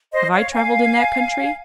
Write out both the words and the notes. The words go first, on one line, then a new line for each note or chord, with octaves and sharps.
Have I travelled in that country?
C5 D#5
C#5 F5
F5 G#5